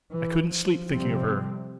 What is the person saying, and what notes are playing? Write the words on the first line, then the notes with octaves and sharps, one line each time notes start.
I couldn't sleep thinking of her.
E3
F3
C3 G3 C4